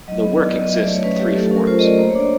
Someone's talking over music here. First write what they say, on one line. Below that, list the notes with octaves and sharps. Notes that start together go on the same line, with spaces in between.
The work exists in three forms.
F#3 D#5
B3
D#4 D5
D5
F#3
D#5
F#3 E5
D5
A3
C#5
C#4 B4
F#3 G4
A3 A4
A4
C#4
A#4
F4 C5
D#5
A3 D5
A#3 C5
C#5
D4 D5